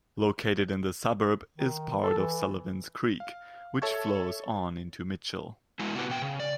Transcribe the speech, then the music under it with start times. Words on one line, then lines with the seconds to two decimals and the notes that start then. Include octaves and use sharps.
Located in the suburb is part of Sullivans Creek, which flows on into Mitchell.
1.58 D#3
2.02 A4
2.18 E3
3.20 F5
3.82 A4 C#5 E5 A5 C#6 G#6
5.79 G#3 E4 F#4
5.94 C3 B3 F#4 G4
6.10 B2 G5
6.22 C#3
6.40 D5